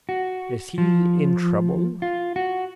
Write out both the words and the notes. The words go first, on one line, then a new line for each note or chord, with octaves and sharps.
Is he in trouble?
F#4
F3
F4
F#4